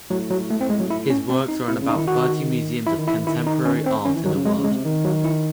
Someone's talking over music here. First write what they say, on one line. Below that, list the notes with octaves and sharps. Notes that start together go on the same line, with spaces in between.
His works are in about thirty museums of contemporary art in the world.
A2 F#3
F#3
A3
C4
G#3
F#3
E4
C#4
C4
D#4
C3 E4
C#3
D#4
D#3 E4
D#3 F#4
E3 E4
D#3
E3 E4
D#3 E4
D#4
C#4
C4
D#3 C#4
E3
D#3 F#3
C#3
C3 G#3
C#3
G#3
C3
D#3
F#3
E4